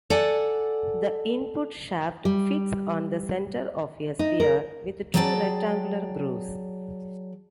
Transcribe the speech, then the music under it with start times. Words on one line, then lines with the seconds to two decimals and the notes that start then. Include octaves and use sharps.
The input shaft fits on the centre of a sphere with two rectangular grooves.
0.10 A4 D5 F#5 G#5
2.25 G3
4.19 D#4
4.40 A#4
5.14 F#3 G#4 D5 G5 A5